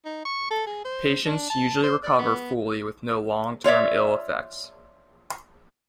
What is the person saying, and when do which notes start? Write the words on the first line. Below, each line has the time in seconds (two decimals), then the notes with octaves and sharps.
Patients usually recover fully with no long term ill effects.
0.05 D#4
0.25 C#6
0.50 A4
0.67 G#4
0.85 C5
1.25 D4
1.50 A5
1.83 C5
2.03 D5
2.19 B3
3.64 F4 C#5 D5 E5